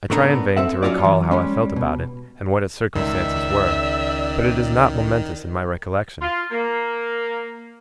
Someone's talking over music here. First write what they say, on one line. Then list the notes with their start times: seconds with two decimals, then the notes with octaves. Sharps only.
I try in vain to recall how I felt about it, and what its circumstances were; but it is not momentous in my recollection.
0.10 A2 A3 B3 D4 A#4
0.57 C4 A4 E5 F#5
0.83 F#3 C#4 D4 F4 F#4 D5
1.04 E3 F#3
1.31 G3 G#3 C#4
1.76 B2
2.95 C#2 D#3 D5 E5
6.21 F4
6.51 A#3